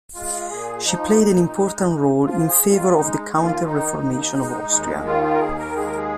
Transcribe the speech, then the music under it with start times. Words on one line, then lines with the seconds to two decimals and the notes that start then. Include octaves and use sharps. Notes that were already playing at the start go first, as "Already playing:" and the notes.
She played an important role in favor of the counter reformation in Austria.
0.15 G#3 F4
0.50 A#2 G#4
0.85 F3 D#4
1.20 A#2
1.56 G#3
1.90 F2
2.25 F3 F4
2.49 G#4
2.61 F2
2.72 F4
2.95 G#3 D#4
3.31 D#2 D#4
3.42 F4
3.66 D#3 D#4
4.01 D#2
4.35 G#3
4.71 D#2
5.06 D#3 F4
5.24 F4
5.33 A#4
5.41 D#2 G#4
5.59 A#4
5.76 G#3 G#4
5.86 A#4
5.97 G#4